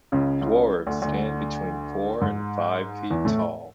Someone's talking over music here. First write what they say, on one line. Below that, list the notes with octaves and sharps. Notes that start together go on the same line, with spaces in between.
Dwarves stand between four and five feet tall.
C#2 C#3
C#2 C#3
D2 D3
D2 D3
G#2
E2 E3
A2 A3